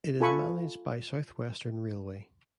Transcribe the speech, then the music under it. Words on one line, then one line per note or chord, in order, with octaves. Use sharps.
It is managed by South Western Railway.
F4 A4 G#5 B5 C#6